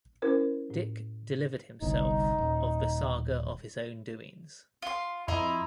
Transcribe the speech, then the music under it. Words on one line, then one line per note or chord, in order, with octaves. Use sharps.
Dick delivered himself of the saga of his own doings.
C#4 E4 A#4 C5
A2
G1 C2 D#4
D#1
F4 C6
F2 E4 D#5 A#5 C6